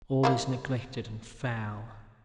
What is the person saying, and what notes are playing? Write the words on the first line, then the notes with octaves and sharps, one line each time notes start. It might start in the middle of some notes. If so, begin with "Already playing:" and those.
All is neglected and foul.
G3 A#3 E4